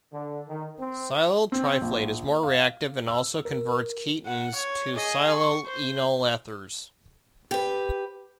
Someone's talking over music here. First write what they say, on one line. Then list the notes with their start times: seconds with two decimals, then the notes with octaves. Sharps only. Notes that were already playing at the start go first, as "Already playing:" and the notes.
Silyl triflate is more reactive and also converts ketones to silyl enol ethers.
0.13 D3
0.48 D#3
0.79 C4
1.52 C4
1.81 A#1
2.43 F5
3.07 E6
3.45 A#4
4.26 F#5
4.55 C#5
4.96 G#4 D#5
5.34 C#6
5.66 C5
7.51 G4 B4